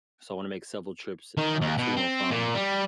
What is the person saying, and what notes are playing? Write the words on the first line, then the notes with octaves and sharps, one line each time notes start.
So, I wanna make several trips, uh, to and from,
D#3
D#2
B2
C4
A#2
G3